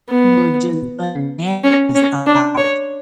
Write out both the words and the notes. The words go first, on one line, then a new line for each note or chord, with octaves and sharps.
were just bananas about
B3
C#4
C#4
D4
C#5